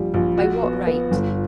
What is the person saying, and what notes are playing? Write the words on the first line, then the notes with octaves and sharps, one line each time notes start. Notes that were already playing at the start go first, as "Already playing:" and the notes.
By what right?
Already playing: A#1 G3
A#1
F#4
B3
B3
G1